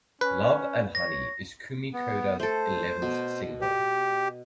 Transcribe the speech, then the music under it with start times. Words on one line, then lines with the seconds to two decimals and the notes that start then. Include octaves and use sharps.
"Love and Honey" is Kumi Koda's eleventh single.
0.21 C#4 B4
0.95 C#5 A#6
1.93 B3
2.40 A3 A4 C5
3.02 B2
3.61 G4